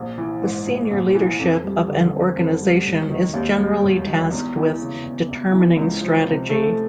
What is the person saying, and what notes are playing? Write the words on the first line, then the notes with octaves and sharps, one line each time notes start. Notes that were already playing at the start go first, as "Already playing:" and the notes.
The senior leadership of an organization is generally tasked with determining strategy.
Already playing: A#1
E3
G#2
A#1
A#1
E3
F2
G3
D3
C4
F2
G3
E1
D#3
D#2
G3
E1
D#3
E2
E3
C#3
E2
E2
E3
C#2
F3
C3
A3